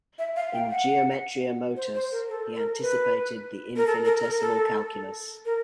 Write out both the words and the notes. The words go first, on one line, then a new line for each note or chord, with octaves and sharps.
In "Geometria Motus", he anticipated the infinitesimal calculus.
E5
F5
G5
F#5
C5
C5
A#4
A4
A#4
B4
A#4
A4
A#4
A#4
A4
A#4